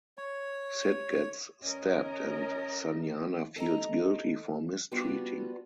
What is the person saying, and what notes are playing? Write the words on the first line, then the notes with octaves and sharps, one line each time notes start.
Sid gets stabbed and Sanjana feels guilty for mistreating.
C#5
C#4 A#4 D#5
A4 D#5 A#5
G3 B3 D4 F4 F#4